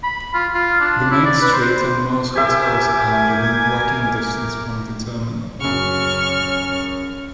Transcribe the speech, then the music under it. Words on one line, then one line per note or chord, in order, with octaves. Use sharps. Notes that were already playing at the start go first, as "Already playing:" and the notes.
The main street and most hotels are within walking distance from the terminal.
B5
F4
F4
D4
E4
D5
B4
C5
G4 A#4 E5 G#5 D6
F#2 C#3 C#4 C#6 F6